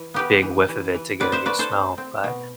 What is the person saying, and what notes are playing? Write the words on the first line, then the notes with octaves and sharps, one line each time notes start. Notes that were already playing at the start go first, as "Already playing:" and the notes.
big whiff of it to get a good smell, but,
Already playing: E3
B3 G4 B4
E3
E3
E3
C4 B4 D5
C5 E5
A3 B4 D5
A4 C5
C4
C4
B2